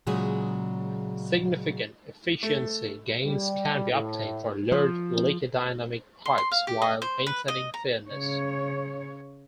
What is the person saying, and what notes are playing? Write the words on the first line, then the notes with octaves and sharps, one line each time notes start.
Significant efficiency gains can be obtained for large leaky dynamic pipes, while maintaining fairness.
A#2 C#3 F#3 G#3 G#4
A3
G3
A2
F3
C6
C6
F5
G4
D#5
C5
B4
D#5
A#5
C#3 C#5